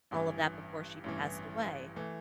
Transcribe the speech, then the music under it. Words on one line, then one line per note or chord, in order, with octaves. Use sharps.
all of that before she passed away,
A1 G2 E3
A1 G2 E3
E3 A3